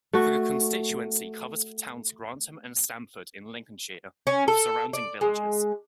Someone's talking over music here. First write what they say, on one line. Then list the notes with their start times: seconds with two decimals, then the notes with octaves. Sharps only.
The constituency covers the towns Grantham and Stamford in Lincolnshire with surrounding villages.
0.13 A3 F#4
4.27 C#4
4.48 A4
4.93 D5
5.21 G#3